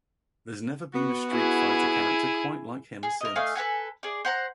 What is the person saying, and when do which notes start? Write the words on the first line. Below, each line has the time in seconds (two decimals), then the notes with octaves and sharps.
There's never been a Street Fighter character quite like him since.
0.94 B3 F#4
1.31 E4 G#4
3.03 G#4
3.21 A#4 D#5
3.36 A3 D#5 F5 G#5
3.55 A4 B4 F#5 G#5
4.03 G#4 D5
4.25 C5 F#5 A#5